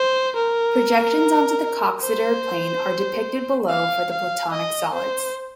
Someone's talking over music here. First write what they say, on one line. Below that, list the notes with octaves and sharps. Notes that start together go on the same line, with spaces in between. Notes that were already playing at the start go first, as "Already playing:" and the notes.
Projections onto the Coxeter plane are depicted below for the Platonic solids.
Already playing: C5
A#4
C5
F5
F5
D#5
C5